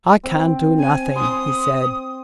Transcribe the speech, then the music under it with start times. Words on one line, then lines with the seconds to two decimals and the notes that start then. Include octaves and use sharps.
"I can do nothing," he said.
0.24 C4
0.78 G#5
1.16 C6 D#6